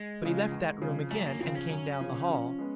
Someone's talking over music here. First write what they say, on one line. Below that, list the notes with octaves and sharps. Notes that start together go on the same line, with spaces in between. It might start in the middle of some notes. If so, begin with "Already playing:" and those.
"But he left that room again and came down the hall."
Already playing: G#3
C#3 F3
E2
C#3 F3
F#2 A3
A#3
C#3 F3 C4
C#4
F#2 C#4
C#3 F3
F3
G#3 B3